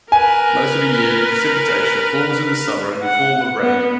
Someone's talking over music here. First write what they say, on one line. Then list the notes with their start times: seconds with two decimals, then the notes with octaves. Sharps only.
Most of the yearly precipitation falls in the summer in the form of rain.
0.12 A#4 B4 G#5
3.03 F#5
3.59 B3